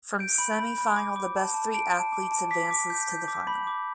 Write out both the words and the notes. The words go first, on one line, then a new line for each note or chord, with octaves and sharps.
From semifinal the best three athletes advances to the final.
G6 D7
B5
B5
B5
D6
D6
A5
A5
A5 D7
A5
D6
A5
D6 B6
D6
G6
G6
D6
B5
D6